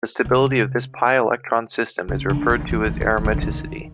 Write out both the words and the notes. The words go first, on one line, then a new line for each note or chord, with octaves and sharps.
The stability of this pi-electron system is referred to as aromaticity.
C3
C#3
D3
D#3
E3
D#3
D#3
E3
D#3
D3
D#3